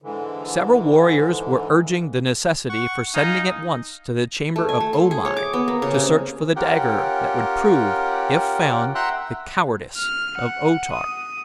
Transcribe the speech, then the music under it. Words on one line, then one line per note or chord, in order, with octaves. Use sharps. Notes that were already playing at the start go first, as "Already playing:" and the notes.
Several warriors were urging the necessity for sending at once to the chamber of O-Mai to search for the dagger that would prove, if found, the cowardice of O-Tar.
G#2 D3 E3
F#5 C#6
D#4 F5 G#5 A#5
A3
G#5
A3
C6
G#4
C#5
D6
B3
A#3
C#3
C3
C#4 F4 G4 A#4 F#5 G5
E5 F#5 G5 A#5 C6 F#6
F6
F#5
D#6